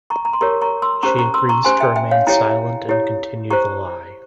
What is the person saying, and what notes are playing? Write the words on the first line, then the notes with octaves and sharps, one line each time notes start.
She agrees to remain silent and continue the lie.
A#5 C#6
A#5
C6
G4 A#4 C#5 A#5 C#6
A#5 C#6
C6 E6
C#4 G4 C5 A#5 C#6
A#5 C#6
C6 E6
A#5 C#6
C#4 G4 C5 G#5 C6
E5 G5
E5 G5
C#5 F5
E4 G4 C#5 G5 A#5
E4 G4 C#5
G4 C5 A#5 C#6